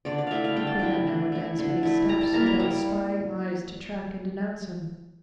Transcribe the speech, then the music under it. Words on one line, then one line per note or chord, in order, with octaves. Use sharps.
He could not now advance many steps, without spying eyes to track and denounce him.
D3 D5
D5
A3 E4 E5 F5
F5
D3 G5
A5
A3 E4 G5
D3
A3 E4
D3
A3 E4
G3 A#5
A5
A#3 E4 A#5
A#5
G3